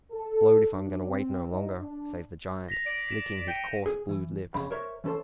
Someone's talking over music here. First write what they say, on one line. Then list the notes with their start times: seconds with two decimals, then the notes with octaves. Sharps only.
"Blowed if I'm going to wait no longer," says the giant, licking his coarse blue lips.
0.11 A4
0.72 D4
1.07 C4
1.50 D#4
1.79 D4
2.68 A#6 B6 F7
2.86 D5 D7
3.09 B6 E7
3.48 G5 C#7 D#7
3.86 G#4
4.09 E3
4.54 F2 C#3 F5 B5
4.71 A#4 C5 C#5 E5
5.04 E3 C#4 A4 C5